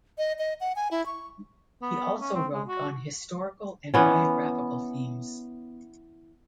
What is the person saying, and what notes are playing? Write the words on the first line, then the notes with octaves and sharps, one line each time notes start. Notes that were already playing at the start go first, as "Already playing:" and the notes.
He also wrote on historical and biographical themes.
D#5
D#5
F#5
G#5
E4
C#6
B3
C#4
C4
G#3
F#4
E3 B3 C#4